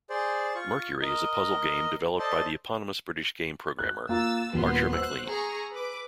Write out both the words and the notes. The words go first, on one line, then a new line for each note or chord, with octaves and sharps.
"Mercury" is a puzzle game developed by the eponymous British game programmer, Archer MacLean.
G#4 C5 D5
F4 C#6
A#4 D#5
A4 C5 D5 D#5 A5
F#6
A#3 F4 E6 A6
D#1 D#2 B3 F4 C6
C5 E6 F#6
G#4 A#5 C#6
B4 D6